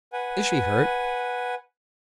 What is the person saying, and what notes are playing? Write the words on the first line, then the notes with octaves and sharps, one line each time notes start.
"Is she hurt?"
B4 F#5 G#5